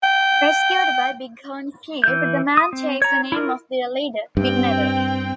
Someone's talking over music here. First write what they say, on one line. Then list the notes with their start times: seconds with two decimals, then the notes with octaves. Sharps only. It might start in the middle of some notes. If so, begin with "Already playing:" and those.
Rescued by bighorn sheep, the man takes the name of their leader, Big Metal.
0.03 G5
2.04 E3 G6
2.57 D#6
2.73 C4
3.02 C#5 A#5
3.32 E4 F4 A#4
4.37 G2 C4 G5